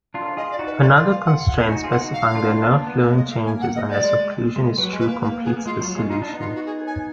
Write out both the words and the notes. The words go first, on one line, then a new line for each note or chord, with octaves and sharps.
Another constraint specifying that no fluent changes unless occlusion is true completes this solution.
D4 F4
F4 G#4 D#5
D5
D#4 F#4
B4
F4 G#4 D5
D5
F5
F#5
F#5
D#4 F#4 G#5
F4 G#4
F#5
D#4 F#4
F5
D4 F4
D4 F4
B3
A#3 D4
B3
A#3
G#3 D#5
A#3 F5
G#5
F#5
D#5
G#3 D5
F#3
G#3
G#3
G#3
F#3 B4
G#3
B4
A#3
A#3 B4
G#4
B3
A#3
G#3 F4
F#3 F4
G#3 F4
D#4 F4
D4 D#4
B3 D#4
F4
F#4
G#4
G#5